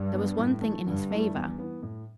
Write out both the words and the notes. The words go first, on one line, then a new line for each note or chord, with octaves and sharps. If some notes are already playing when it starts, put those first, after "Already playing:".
There was one thing in his favour.
Already playing: G2
B3 D4
A2
E3 A3
G2 D3
A3 E4
E2
E3 B3
A2